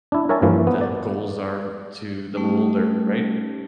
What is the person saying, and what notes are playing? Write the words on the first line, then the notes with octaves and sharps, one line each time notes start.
the goals are to the beholder. Right?
D4 E4
A#4 C#5 E5 G#5 A5
G2 E3 F3 A#3
B3
D5
G3 A3 C#4 D#4 G4